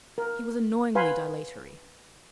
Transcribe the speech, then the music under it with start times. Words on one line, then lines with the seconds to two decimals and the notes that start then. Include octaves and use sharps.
He was annoyingly dilatory.
0.18 A#4
0.95 B4 F5 G#5 B5 C6